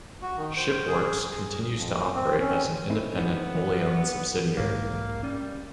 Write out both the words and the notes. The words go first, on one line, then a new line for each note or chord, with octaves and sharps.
ShipWorks continues to operate as an independent, wholly owned subsidiary.
F#4
D#3
C5
G#4
G#4
F2
C4
C#4
C4 D#4 E4
B3
E3 F#3
B1 G#2 G#3 A#3
G3 C#4